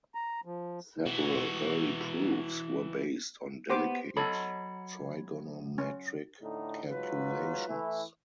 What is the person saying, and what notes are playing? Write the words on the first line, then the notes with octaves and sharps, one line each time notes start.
Several early proofs were based on delicate trigonometric calculations.
A#5
F3
E3 F#4
B3 G4 C5 D6
F#3 A4 C#5 B5
C#4
A2 D3 D#4
G#2 F#3 F4 B4
E3 A3 E4